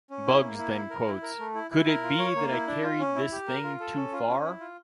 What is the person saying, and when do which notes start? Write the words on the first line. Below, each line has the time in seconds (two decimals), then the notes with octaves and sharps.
Bugs then quotes Could it be that I carried this thing too far?
0.10 C#4
0.26 E4
0.42 A#3
0.58 E4
0.74 E4
0.90 A#4
1.07 E4
1.23 A#4
1.39 A3
1.55 E4
1.71 E4
1.87 A#4
2.03 F4
2.19 C#5
2.35 A#3
2.51 E4
2.67 D4
2.84 F4
2.99 C#4
3.16 E4
3.32 G4
3.47 A#4
3.64 F4
3.80 A4
3.96 C#4
4.12 F4
4.28 C#4
4.44 E4
4.60 F4